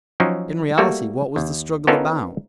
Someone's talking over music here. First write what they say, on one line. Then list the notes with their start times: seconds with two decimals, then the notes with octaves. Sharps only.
In reality, what was the struggle about?
0.20 F3 F#3 C#4 D#4
0.78 G3 A3 A#3 F#4
1.36 D#2
1.87 B3 C#4 D#4 F4 A4 A#4